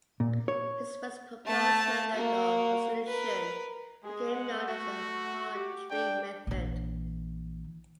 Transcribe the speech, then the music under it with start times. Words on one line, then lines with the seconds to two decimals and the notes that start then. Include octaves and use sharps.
His first proposed method of solution became known as the Hartree method.
0.20 A#2
0.48 C#5
1.46 A3 A5
2.14 A#3 F#4
3.08 A#4 B4
4.04 G#3 G#4
4.32 F#5
4.68 A3 F#4
5.52 G4
5.90 D4 G5
6.47 A#1 E3